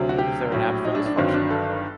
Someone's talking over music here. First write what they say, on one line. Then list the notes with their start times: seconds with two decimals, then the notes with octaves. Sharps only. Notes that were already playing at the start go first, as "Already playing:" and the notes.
Is there an app for this function?
Already playing: D2 C3 F#3
0.09 F#4
0.18 G4
0.52 A#1 A2 F#3
0.85 D#4
0.95 D4
1.06 D4
1.17 G1 G2 D#3 F#3 C4
1.34 D4
1.50 A4